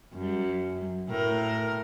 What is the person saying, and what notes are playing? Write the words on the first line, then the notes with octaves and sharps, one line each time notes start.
Mm, mhm.
F#2
A2 A#4